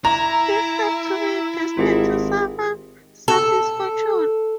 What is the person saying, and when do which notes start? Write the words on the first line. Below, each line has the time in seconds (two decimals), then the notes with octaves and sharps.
He is thought to be destined to suffer some misfortune.
0.05 E4 A#5
1.77 G#1 F4 G4 G#4
3.28 A4